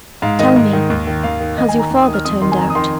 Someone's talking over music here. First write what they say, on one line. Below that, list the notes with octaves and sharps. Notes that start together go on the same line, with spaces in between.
Tell me, has your father turned out?'
G#2 F5
D#3 D#5
G#2
D#3
D#2
D#3
D#2 F5
D#3
D#2 D#5
G#5
D#3 A#5
D#2
D#6
D#3
F6
F2 D#6
D#3 C6
G#5
F2 A#5
D#6
D#3 C6